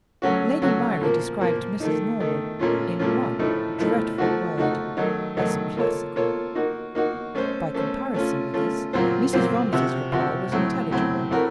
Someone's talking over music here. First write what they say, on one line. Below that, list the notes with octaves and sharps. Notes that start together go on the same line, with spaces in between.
Lady Myrie described Mrs. Norman, in one dreadful word, as "Classical." By comparison with this, Mrs. Romsey's reply was intelligible.
F#3 A3 C#4 F#4
F#3 A3 C#4 F#4
A#2 F3 A#3
A#2 F3 A#3
D#3 A3 D#4
D#3 A3 D#4
A#2 A3 C#4 F4
A#2 A3 C#4 F4
A2 F3 A3 D#4
A2 F3 A3 D#4
F3 A3 D#4 F#4
F3 A3 D#4 F#4
D#3 F#3 A3 D#4
D#3 F#3 A3 D#4
A#3 F4 A4 C#5
A#3 F4 A4 C#5
A#3 D#4 F#4
A#3 D#4 F#4
A3 C#4 A4 C5
A3 C#4 A4 C5
A3 C#4 F4
A3 C#4 F4
A#2 F#3 C4 F4 C5
A#2 F#3 C4 F4 C5
C3 F3 C4 F#4
C3 F3 C4 F#4
A2 F#3 C4
A2 F#3 C4
A2 A3 C4 F#4 A#4